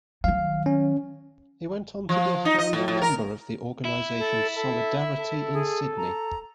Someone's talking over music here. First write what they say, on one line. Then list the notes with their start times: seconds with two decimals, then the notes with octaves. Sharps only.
He went on to be a founding member of the organisation Solidarity in Sydney.
0.24 D#3 F#3 F5
0.66 C#4
2.09 F3
2.45 D#4
2.58 D#5
2.73 A2
2.88 A2
3.02 A#4
3.85 E4
4.19 A4
4.56 A4 E5
5.18 A4
5.53 G#4
5.97 A#5